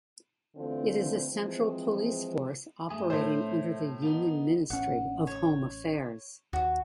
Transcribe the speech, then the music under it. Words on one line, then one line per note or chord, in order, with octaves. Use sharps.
It is a central police force operating under the Union Ministry of Home Affairs.
D3 E3 A3 C4 F4
E3 F3 G#3 C4
G2 A3 G#4
A2 A3 C5
A#3 B3 D#4
A1 C#4 F#5
C#5
D#2 F#4